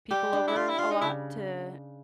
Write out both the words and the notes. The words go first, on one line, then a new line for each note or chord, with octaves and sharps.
people over a lot to
G3 G4
D4
E4
G3 F4
E4
D4 F4
D#4
C#3 E4